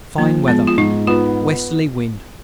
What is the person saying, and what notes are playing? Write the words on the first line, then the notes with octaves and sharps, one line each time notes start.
Fine weather: westerly wind.
F3 A#3
G#3 B3
F4
G#2 D#4
B3 F4